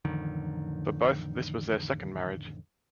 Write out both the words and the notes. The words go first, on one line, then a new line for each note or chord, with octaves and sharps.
For both, this was their second marriage.
A1 F2 D3 D#3